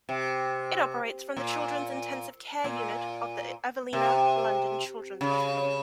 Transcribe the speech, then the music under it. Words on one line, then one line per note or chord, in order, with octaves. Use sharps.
It operates from the children's intensive care unit of the Evelina London Children's Hospital.
C3
A#2
A#2
C3
C#3